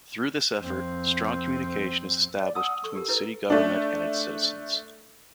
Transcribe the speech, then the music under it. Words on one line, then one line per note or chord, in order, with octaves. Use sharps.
Through this effort, strong communication is established between city government and its citizens.
F2 C4
D5
F#5 A5 D#6 E6
A4 C#6
G4 A#4
E4 B4
A3 D4